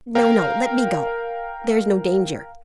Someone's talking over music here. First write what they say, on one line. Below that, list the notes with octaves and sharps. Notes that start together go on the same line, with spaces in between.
"No, no, let me go, there's no danger."
A#4 F5 G5